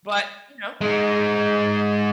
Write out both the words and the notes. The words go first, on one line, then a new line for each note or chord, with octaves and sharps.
but, you know,
G#3 D#4